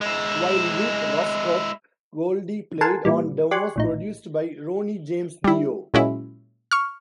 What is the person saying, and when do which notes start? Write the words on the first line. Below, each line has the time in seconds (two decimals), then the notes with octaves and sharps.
While with Rough Cutt, Goldy played on demos produced by Ronnie James Dio.
0.01 G#3 E4
2.81 A4 A#4 F#5 G#5 A5 C6
3.05 A#2 E3 G3
3.51 G4 D5 G#5 C6 C#6 F#6
3.76 A#1 A2 D#4
5.44 G3 E4
5.94 A#2 F#3 G#3 C#4 E4
6.72 C#6 F6